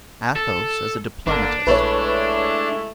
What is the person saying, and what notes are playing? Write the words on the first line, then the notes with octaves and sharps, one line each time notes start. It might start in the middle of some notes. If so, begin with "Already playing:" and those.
Athos as a Diplomatist.
A4
G1 D3 A#3 D4
A#1 G#3 A3 E4 B4 C#5